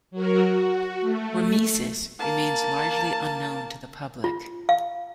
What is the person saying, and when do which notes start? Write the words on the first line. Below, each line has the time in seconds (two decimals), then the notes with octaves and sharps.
Hormesis remains largely unknown to the public.
0.11 F#3 F#4 A#4
0.45 F#4
1.01 A3
2.19 A#3 A5
4.24 F4
4.69 F5